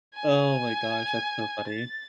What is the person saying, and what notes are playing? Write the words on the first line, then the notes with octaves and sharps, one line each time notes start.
Oh my gosh, that's so funny.
G#5
A6